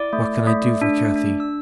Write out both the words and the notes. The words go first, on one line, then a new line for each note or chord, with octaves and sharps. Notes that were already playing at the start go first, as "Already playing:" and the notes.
What can I do for Cathy?
Already playing: E4 D5 D6
A3
A3
D4
D4
E6